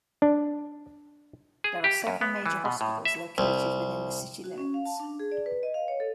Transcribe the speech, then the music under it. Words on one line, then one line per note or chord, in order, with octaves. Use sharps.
There are several major hospitals located within the city limits.
D4
G#4
G4
F#2
B3
E3
B2
A2
E5
C2
F#4
C#4
F5
A5
D4
G#4
D5
B4
D#5
F5
C#5
A4